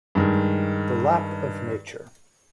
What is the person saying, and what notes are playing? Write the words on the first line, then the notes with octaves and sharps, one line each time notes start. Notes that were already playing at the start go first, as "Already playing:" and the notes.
The lap of Nature!
G2 D#3 G#3